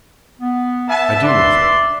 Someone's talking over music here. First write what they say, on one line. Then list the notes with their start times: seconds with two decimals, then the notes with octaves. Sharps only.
I do love him.
0.40 B3
0.88 B3 E5 A5
1.23 B4 D5 C6